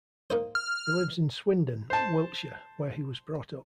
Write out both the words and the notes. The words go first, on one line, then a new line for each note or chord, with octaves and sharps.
He lives in Swindon, Wiltshire, where he was brought up.
A#3 D#4 C5
F6
C5 A5